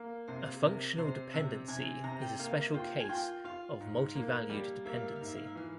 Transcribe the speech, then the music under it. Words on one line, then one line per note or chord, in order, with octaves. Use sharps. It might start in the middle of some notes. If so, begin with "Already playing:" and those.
A functional dependency is a special case of multivalued dependency.
Already playing: A#3
C3 C5
C3 A#4
C3 C5
C3 E5
C3 G#5
C3 A#5
G5
A#3 F5
F4 G5
G#5
F4 G5
F4 F5
G#2
A#3
G3
A#3 E5
F5
E5
F5
G#2
E5
F5
E5
E3 F5